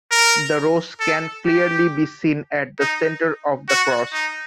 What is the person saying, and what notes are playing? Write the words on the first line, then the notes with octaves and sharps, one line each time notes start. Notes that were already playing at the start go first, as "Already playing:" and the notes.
The rose can clearly be seen at the center of the cross.
A#4
A4
G4
D#4
F#4
D#4